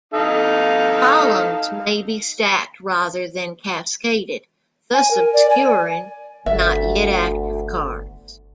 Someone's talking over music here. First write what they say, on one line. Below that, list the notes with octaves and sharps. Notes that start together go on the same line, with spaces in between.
Columns may be stacked rather than cascaded, thus obscuring not-yet-active cards.
D#4 A4 F5
G#5
A#4
D5
G#5
G1 D2 A4 E5 F#5